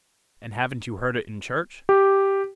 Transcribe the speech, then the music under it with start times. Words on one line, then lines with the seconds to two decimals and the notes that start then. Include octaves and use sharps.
"And haven't you heard it in church?"
1.89 G4